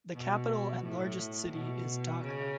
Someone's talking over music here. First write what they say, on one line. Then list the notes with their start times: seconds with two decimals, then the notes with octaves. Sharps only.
The capital and largest city is Dhaka.
0.15 B2
0.84 A2
1.53 B2
2.23 C#3